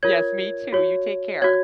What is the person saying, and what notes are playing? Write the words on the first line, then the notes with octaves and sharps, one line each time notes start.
yes, me too, you take care.
F4 A#4 C#5 G#6
F#4 C#5
F#4 C#5 G#6